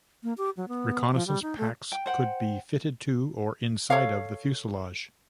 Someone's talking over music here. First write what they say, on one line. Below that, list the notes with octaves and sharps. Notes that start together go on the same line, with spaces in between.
Reconnaissance packs could be fitted to, or inside of, the fuselage.
A#3
G4
F#3
B3
F3
G3
D#4
A3
G5
C5 F#5 G5
A4 C#5 F5